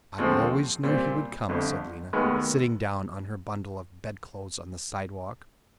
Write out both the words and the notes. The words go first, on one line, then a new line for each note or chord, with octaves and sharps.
"I always knew he would come," said Lena, sitting down on her bundle of bedclothes on the sidewalk.
D#2 D3 F3 G#3 C4
A#2 G3 C4
G1 F2 D3
F1 D#2 D#3 G#3 B3